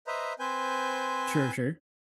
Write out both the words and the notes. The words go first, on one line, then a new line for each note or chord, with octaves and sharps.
Sure, sure.
B4 C5 D#5 E5 A#5
C4 B4 C5 G#5 G6